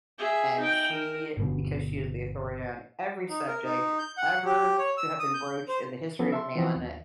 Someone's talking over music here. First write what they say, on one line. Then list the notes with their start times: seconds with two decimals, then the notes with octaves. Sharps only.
and she- because she is the authority on every subject ever to have been broached in the history of man, eh,
0.19 G#4 E5
0.60 D#4 G5
0.92 A#4
1.37 G1 B2 D3
3.30 D#4
3.47 A#4
3.64 D#4
3.99 G6
4.18 F#5
4.45 G4
4.78 C#5
4.97 E6
5.20 D#6
5.34 G6
5.68 C5
6.19 F3 B3 C#4 A4
6.32 E5 A5 C6
6.56 E3 F3 C4
6.76 D#2